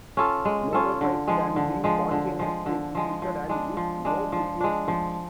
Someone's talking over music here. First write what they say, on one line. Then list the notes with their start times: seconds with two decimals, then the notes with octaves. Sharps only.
Monotypes can be spontaneously executed and with no previous sketch.
0.17 C#4 F4 A4
0.45 G#3
0.73 C#4 F4 A4
1.01 D3
1.28 F3 G#3
1.56 D3
1.84 F3 G#3
2.11 D3
2.39 F3 G#3
2.66 D3
2.95 F3 G#3
3.22 F3
3.49 G#3 D4
3.77 F3
4.05 G#3 D4
4.32 F3
4.60 G#3 D4
4.88 F3